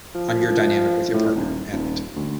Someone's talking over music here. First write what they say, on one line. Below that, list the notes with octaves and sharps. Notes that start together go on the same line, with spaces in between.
on your dynamic with your partner. And,
F3
A2
D#1
D#1
D2